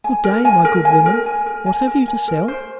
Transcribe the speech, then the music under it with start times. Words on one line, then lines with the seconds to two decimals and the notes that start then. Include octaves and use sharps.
"Good-day, my good woman, what have you to sell?"
0.04 G#5
0.24 A#4
0.45 G#5
0.65 A#4
0.85 G#5
1.06 A#4
1.26 G#5
1.46 A#4
1.66 G#5
1.87 A#4
2.08 G#5
2.28 A#4
2.48 C5